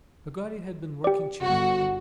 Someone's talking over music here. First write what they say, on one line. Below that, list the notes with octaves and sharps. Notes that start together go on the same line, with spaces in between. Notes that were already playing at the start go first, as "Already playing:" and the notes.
Peggotty had been working cheerfully.
G4 D5
G1 F#4